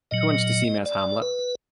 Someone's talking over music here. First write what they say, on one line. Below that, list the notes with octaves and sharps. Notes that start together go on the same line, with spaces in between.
Who wants to see me as Hamlet?
A#2 F#3 D#5
D5
B4